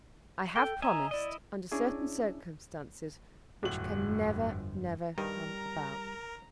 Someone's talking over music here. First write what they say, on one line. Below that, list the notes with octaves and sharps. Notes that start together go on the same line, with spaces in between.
"I have promised under certain circumstances which can never, never come about."
A4 G5
D#5 E5 G#5 A#5
E4 D5 D#5
C#4 D4 E4 G#4
D1 G1 F2 A2 F#7
G2 D#3 G3 A#4 D#5 A#5